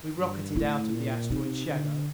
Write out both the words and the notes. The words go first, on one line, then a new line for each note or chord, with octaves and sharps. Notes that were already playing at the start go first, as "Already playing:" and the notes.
We rocketed out of the asteroid's shadow.
G2
A2 E4
A#2
C3 D#4
D3